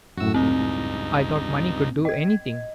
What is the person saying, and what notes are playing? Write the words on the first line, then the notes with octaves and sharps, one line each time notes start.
I thought money could do anything.
F#2 A2 F#4 E6
C#2 G2 C4 D#4
D#5 G#6